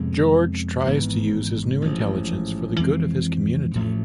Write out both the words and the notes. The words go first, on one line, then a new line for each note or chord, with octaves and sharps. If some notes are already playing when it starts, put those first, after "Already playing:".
George tries to use his new intelligence for the good of his community.
Already playing: F2 C3 G#3 B3
G#1 G#2 E3 B3
A1 G#2 F3
F2 E3 G#3 C4
A1 A2 F3 A3